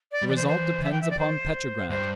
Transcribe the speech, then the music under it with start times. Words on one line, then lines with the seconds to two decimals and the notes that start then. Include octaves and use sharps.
The result depends upon Petrograd.
0.11 D5
0.22 G3
0.29 E3 D5
0.36 C5
0.47 C5
0.83 E5
0.91 G5
1.01 E5
1.10 D5
1.18 C5
1.90 G2 C5